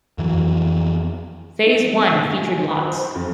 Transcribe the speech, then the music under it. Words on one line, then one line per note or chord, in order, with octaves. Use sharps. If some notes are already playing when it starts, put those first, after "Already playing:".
Phase one featured lots.
F2 E3 F#3
D#4
A#2
G#5
B4
C5
F2